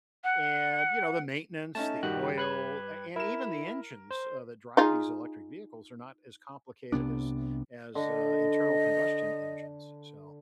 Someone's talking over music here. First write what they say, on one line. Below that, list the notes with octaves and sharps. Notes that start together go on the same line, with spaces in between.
and, you know, the maintenance, the oil, a and even the engines, uh, that drive these electric vehicles are not as complicated as as, uh, internal combustion engines, so,
F#5
A3 C#4 D#4 A5
G2 D#3 F#4 G4 F#6
B4 F#6 G#6
E4 A#4 E7
C5
D#4 F4 G#4
C2 C3 B3 D4
D3 D#5